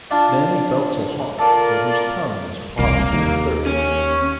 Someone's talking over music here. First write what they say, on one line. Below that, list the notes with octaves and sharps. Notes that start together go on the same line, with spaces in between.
Then he felt so hot that his tongue was parched with thirst.
D4 F4 D5
F4 A4 A#4 D5
E1 C2 A#3
D#2
C#4